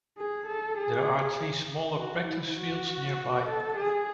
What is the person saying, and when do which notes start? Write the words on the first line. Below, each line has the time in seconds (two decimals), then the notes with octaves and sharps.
There are three smaller practice fields nearby.
0.18 G#4
0.46 A4
0.78 G#4
1.96 F#4
2.27 E4
2.57 F#4
3.47 A4
3.77 G#4